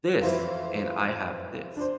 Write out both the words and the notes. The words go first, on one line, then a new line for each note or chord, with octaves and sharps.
this, and I have this.
F2 E3 E4 C5 F5
D4 C5